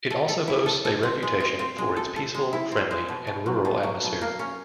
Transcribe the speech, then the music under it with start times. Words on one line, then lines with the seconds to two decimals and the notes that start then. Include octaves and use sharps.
It also boasts a reputation for its peaceful, friendly, and rural atmosphere.
0.10 A4
0.29 A4
0.48 E4
0.66 A4
0.85 A4
1.03 C4
1.23 G#3
1.40 C4
1.59 C4
1.78 G#3
1.97 A4
2.16 A4
2.35 G#3
2.53 E4
2.72 C4
2.91 G#3
3.09 B2
3.27 B2
3.46 F#3
3.65 B2
3.83 F#3
4.03 B2
4.21 A#3
4.39 C#4